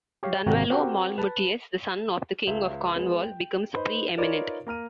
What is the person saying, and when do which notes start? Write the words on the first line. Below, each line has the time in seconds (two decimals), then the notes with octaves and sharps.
Dunvallo Molmutius, the son of the King of Cornwall, becomes pre-eminent.
0.23 G4 C#5 F5
0.46 G#1 C3 F#4 A#4 G5 A#5
0.71 C4 F#4 G4 A#4
1.18 B4 A5
2.47 C#2 E5
2.96 G#3 B3
3.23 G5
3.74 D#4 B4 C5
4.17 D#4 F4 A#4 B4 C#5 D5
4.67 A#3 A#5 F6 D#7